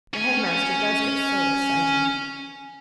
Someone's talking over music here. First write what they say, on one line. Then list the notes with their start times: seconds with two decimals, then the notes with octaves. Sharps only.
The headmaster does get so excited.
0.13 C#4 G#5